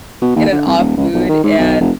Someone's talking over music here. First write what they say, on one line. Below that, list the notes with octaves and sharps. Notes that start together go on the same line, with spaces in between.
in an off-mood, and
B2
D#2
D3
C2
D#1
C#2
B1
D#3
G#2
B1
F1